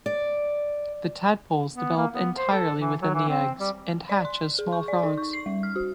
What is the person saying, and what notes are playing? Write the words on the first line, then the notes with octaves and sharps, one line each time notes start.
The tadpoles develop entirely within the eggs and hatch as small frogs.
D5
B3
A#3
B3
C5
A4
E3
F#3
E3
C4
G3
D5
C6
G#4
C#6
D5
D#4
C#6
C7
G3
F6
F#4